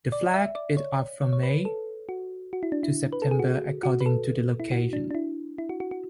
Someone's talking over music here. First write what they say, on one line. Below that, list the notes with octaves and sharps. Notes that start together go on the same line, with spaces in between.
The flag is up from May to September according to the location.
D5
E5
D5
C#5
C#5
C#5
B4
A4
F#4
F#4
E4
D4
E4
B4
A4
G#4
F#4
F#4
B4
A4
E4
F#4
D4
D4
E4
E4
F#4
F#4
F#4